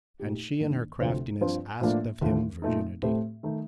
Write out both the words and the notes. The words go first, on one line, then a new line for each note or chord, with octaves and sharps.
And she in her craftiness asked of him virginity.
A#2 A3 D#4 G4
G2 D#3 A#3 D4
D2 C3 F3 C4
G2 F3 C4 F4
A2 F3 A#3 D4 F4
D#2 D3 F3 A3
A#2 A3 D#4
A2 A3 C4 G4
D#3 A3 D#4